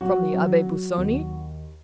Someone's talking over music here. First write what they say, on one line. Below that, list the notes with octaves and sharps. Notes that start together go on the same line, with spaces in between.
"From the Abbe Busoni?"
F#3 F#4
F#3
F#3
D#2